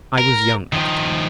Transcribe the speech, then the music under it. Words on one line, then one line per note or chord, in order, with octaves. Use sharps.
I was young at the time.
A#4
D#3 F3